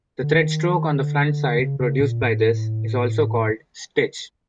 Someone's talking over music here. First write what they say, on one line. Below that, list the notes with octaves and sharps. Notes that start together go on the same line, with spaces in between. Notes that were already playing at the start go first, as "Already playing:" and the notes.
The thread stroke on the front side produced by this is also called "stitch".
D3
D#3
D3
C#3
C#3
A#2
A2